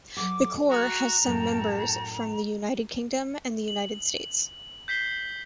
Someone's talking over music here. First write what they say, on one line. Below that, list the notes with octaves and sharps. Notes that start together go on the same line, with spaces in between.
The Corps has some members from the United Kingdom and the United States.
F#3 A4 F#5 D6
F#4 A#5
F#2 A2 A3 F#4 G5 A5
F#7
G6 B6 C7 G7